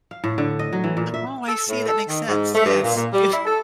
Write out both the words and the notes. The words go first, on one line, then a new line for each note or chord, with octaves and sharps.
Oh, I see, that makes sense. Yes. Yeah.
F5
A2
D3
D#5
F#3
E3
A#2
E5
A4
A2
A4
D#3
G#2
A3
G2
A#2
A#2
G3
E4
A4